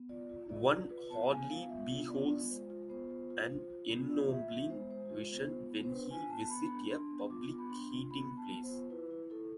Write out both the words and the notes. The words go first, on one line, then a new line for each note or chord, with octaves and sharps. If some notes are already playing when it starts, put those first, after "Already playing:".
One hardly beholds an ennobling vision when he visits a public eating-place.
Already playing: B3
F4 D5
F4
F4 D5
F4
F4 B4
B3 A5
B3 G#5
F4 F5
B3 E5
F4
B3 D5
F4
G#3 C5
F4
B3 C5
F4
F4
F4
F4
B3
F4 D5
F4 E5
B3 E5
G#3 C5
G#3 C5
F4
B3 C5
F4
B3
C5
D4 B4
F4 G#5
B3 A5
B3 B5
D4
D4 C6
B3
F4 D6
B3
B5
D4 C6
F4
B3 B5
B3
A5
B3
C5
F4
E4 B4
E4
E4 A4